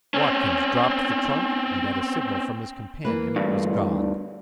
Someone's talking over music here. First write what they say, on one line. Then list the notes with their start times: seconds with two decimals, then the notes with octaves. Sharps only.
Watkins dropped the trunk and at a signal from his companion was gone.
0.14 C4 C#4
3.05 E3 A#3 B4
3.36 D2 G2